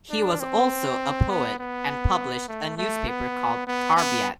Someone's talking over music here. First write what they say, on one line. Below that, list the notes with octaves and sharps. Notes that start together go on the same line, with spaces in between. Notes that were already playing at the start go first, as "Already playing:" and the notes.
He was also a poet and published a newspaper called Tarbiat.
D4
C4
B3
B3
A3
A3
B3
B3
B3